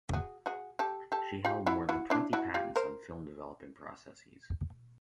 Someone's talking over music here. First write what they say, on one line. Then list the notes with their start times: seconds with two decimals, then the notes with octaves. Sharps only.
She held more than twenty patents on film developing processes.
0.13 F#4 G#4
0.46 F#4 G#4
0.79 G4 A4
1.12 G4 A4
1.45 F4 G4
1.66 E4 F#4
1.89 E4 F#4
2.10 D4 E4
2.33 E4 F#4
2.54 F4 G4
2.76 A#4 C5